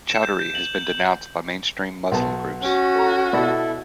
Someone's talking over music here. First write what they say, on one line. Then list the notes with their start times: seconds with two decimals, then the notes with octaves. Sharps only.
Choudary has been denounced by mainstream Muslim groups.
0.09 E7
0.23 G6
0.40 G6
0.55 F#7
0.75 G6
2.11 B1 B3 A5
2.63 C#4 F#4
2.95 A4 A#5
3.33 B2 E4 A4 D5 B5